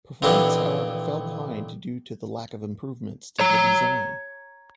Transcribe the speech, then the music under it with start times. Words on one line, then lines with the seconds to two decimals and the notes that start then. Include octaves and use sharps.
Performance, however, fell behind due to the lack of improvements to the design.
0.22 F2 A#2 E3 B3 D4 G4
3.40 C#5 A#5